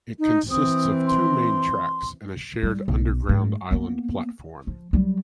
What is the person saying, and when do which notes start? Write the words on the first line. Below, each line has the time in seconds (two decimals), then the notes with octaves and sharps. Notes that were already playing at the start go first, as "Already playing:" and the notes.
It consists of two main tracks and a shared underground island platform.
0.19 D#4
0.51 E3 C4 D#6
1.07 C6
2.63 G3
2.88 B1
3.29 G#2 A3
3.71 A#3 B3
4.67 F3
4.93 F#3 G3